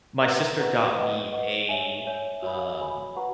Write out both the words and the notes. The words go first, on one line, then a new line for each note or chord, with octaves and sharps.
my sister got me a, um
B4 F#5 A#5 C#6
B4 F#5 A#5 C#6
B4 D#5 F#5 C#6
B4 D#5 F#5 C#6
C#5 E5 G#5
C#5 E5 G#5
F#4 C#5 G#5 B5
F#4 C#5 G#5 B5
F#4 B4 F#5 A#5 C#6